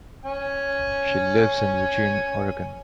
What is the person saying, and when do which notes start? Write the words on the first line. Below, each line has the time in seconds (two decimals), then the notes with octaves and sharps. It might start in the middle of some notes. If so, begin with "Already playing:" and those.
She lives in Eugene, Oregon.
0.25 C#4 G#5